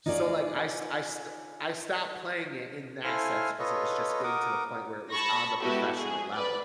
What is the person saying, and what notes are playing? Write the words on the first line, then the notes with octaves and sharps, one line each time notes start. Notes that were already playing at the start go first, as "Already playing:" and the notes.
So like I st I st I stop playing it in that sense 'cause it was just getting to the point where it was on the professional level.
D#4 F4 G#4 C#5 D5
E4 A4 C5 F5 G#5 F6
F4 A4 B4 C#5 D#5
A#4 F#5 D6 D#6
A5 B5 C#6 A#6
G#3 B3 E4 F#4 G4 A4
G#4
B4 D5